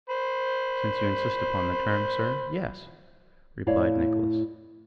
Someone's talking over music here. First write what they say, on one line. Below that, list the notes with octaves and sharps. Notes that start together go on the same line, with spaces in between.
'Since you insist upon the term, sir, yes,' replied Nicholas.
C5 B5
A2 E4 C#5 D5 F5